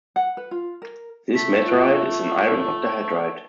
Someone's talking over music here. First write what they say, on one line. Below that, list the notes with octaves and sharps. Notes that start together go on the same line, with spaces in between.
This meteorite is an iron octahedrite.
F#5
B4
F4
A#4
A3 B6
F4 E5 F#6